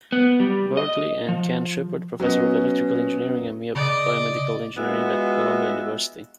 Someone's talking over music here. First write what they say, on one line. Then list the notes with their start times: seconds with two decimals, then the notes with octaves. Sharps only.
Berkeley, and Ken Shepard, Professor of Electrical Engineering and Biomedical Engineering at Columbia University.
0.12 B3
0.40 G3
0.77 D#5
1.29 F3
2.20 F#3 B3 C#4 D#5
3.75 C#3 D5 D#5
4.77 G#3 B3 F4 F#4 E5